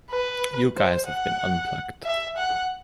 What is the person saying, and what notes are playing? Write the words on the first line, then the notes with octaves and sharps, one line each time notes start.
You guys have been unplugged!
B4
C5
F#5
E5
F#5